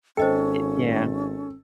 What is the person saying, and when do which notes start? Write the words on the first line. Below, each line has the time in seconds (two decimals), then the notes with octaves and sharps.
Eh, yeah.
0.17 G#1 C#4 A4 C5 D#5 G5